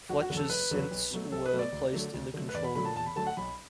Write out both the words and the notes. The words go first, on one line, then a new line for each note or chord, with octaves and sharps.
Fletcher's synths were placed in the control room.
F#1 F#4
F#4
E2 D3 F#3
A4
F#1 B4
E2 D3 F#3
B1
B2 F#3 A3
B1 A4
B4
B2 F#3 A3
D5
D2
D3 F#3 A3
D2
D3 F#3 A3
B4
E2 D5
B5
D3 F#3 A3 B5
A5
E2 A5
B5
D3 F#3 A3 A5
F#5
B1 B5